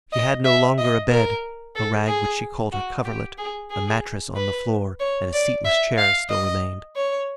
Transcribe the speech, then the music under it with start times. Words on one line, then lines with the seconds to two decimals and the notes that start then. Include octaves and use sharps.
She had no longer a bed; a rag which she called her coverlet, a mattress on the floor, and a seatless chair still remained.
0.12 D#5
0.45 E5
0.78 D#5
1.10 A#4
1.76 A4
2.07 G#4
2.72 F#4
3.05 G4
3.38 G#4
3.71 G#4
4.36 B4
5.00 C#5
5.33 D5
5.65 E5
5.98 F5
6.30 D#5
6.96 C#5